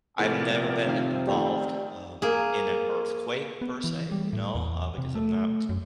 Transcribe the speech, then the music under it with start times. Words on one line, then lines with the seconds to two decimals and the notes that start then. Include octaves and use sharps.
I've never been involved, um, in an earthquake per se, you know, uh, because I'm not
0.19 C3 F3 A3 B3 E4 G#4 A#4 D5
0.87 D#3 C4 F5
1.27 D#3 A3 F4 G4 D5 G5
2.22 A#3 G#4
3.61 B3
3.84 E3
4.12 G3
4.33 A2
4.55 E2
4.98 C3
5.15 A3
5.69 F#2